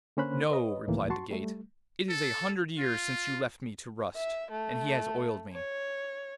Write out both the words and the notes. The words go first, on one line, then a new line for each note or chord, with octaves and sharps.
'No,' replied the gate; 'it is a hundred years since you left me to rust, and he has oiled me.
D3 A#3 C#4 C5 B5 F#6
B4 C#5 D#5
C#2 A2 D#3 E3 G#3 A#3
F#4 A5 C6 C#6
G3 A3
A4
F4
E5
A3
C#5